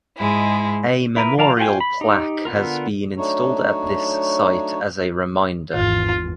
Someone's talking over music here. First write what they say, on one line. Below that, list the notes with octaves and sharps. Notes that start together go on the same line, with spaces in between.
A memorial plaque has been installed at this site as a reminder.
G#2 G#3 E4
E4 A#4 B4
F3 D5 F5 A5 A#5
F4 F#4 C5 G5 G#5
B5
D#4 G4
D3 B3 F4 A#4
F#3 A3 D4 D#4 F#4 C#5
G#1 E2 E3 F4